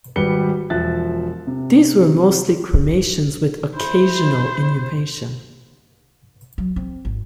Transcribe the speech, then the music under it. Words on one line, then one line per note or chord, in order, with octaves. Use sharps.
These were mostly cremations, with occasional inhumation.
G#1 G3 B4 C#7 G7
E1 F3 E5 F#6 A6
C3
E4 C5
F#3
C4
G#1